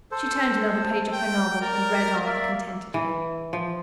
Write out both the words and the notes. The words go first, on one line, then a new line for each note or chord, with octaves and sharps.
She turned another page of her novel, and read on contentedly.
A4 C5
G5
A#4 D5
A#3 D5 E5
E3
F3